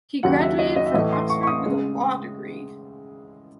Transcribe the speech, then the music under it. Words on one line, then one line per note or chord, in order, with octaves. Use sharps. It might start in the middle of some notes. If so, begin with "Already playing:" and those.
He graduated from Oxford with a law degree.
D#2 C#3 F#3 F#5
E5
D#5
D#5
E5
A2 E3 A3 D#5
C6
C#6
C#6
D#6
C#3 G#3